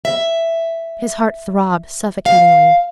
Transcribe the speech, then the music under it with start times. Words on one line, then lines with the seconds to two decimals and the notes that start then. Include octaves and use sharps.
His heart throbbed suffocatingly.
0.05 E5
2.26 F5